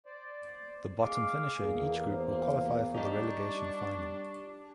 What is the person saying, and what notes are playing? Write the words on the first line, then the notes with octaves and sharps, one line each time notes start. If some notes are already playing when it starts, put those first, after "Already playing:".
The bottom finisher in each group will qualify for the Relegation Final.
C5 D5
G#3 F5 D6
E2 A#3 G#4
C5
G3 D4 D#4 G4 C#6